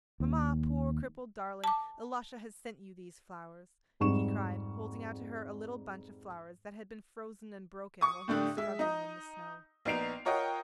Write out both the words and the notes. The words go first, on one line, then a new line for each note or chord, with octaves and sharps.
"Mamma, poor crippled darling, Ilusha has sent you these flowers," he cried, holding out to her a little bunch of flowers that had been frozen and broken while he was struggling in the snow.
D#2
A5 D6
F2 G#2 G3 C#6 E7
C#6 D#6
A2 D3 A3 D4 G4
G#3 E5
D#4 D#5
A#1 B3 D#4 C7 D7 F7
F4 A#4 C#5 D#5 F#5 G5